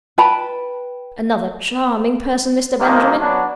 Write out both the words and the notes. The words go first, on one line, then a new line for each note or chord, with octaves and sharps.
Another charming person, Mr. Benjamin!
B4 G5 A5 B5
C#2 G2 C3 D#3 F3 A#3
F#3 B3 C#4 D4